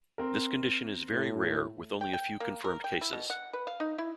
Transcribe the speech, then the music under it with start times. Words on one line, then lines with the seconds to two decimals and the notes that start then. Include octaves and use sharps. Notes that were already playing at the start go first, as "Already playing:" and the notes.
This condition is very rare with only a few confirmed cases.
0.18 C4 A#4
1.12 A2
2.01 G5
2.13 G5
2.40 A#3
2.64 A#4
2.84 G5
3.01 E4
3.13 B2
3.30 F#5
3.53 B4
3.67 F5
3.80 D#4
3.98 E4